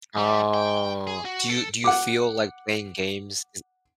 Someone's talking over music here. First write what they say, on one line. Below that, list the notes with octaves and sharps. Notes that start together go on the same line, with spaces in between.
Oh. Do you do you feel like playing games is
G3
G5
G#4
F#4
A4
F#5 D6